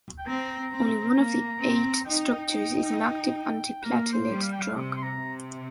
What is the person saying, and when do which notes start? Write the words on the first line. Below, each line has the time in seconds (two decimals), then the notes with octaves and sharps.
Only one of the eight structures is an active antiplatelet drug.
0.18 G5
0.26 C4 A#5
0.72 C4
1.16 A#3
1.60 C4
2.05 D#4 G5
2.50 D#4
3.83 A#3 A#4
4.13 C5
4.28 G3
4.42 F5
4.52 G5
4.61 F5
4.73 C3
4.96 C6
5.02 A#5
5.16 C3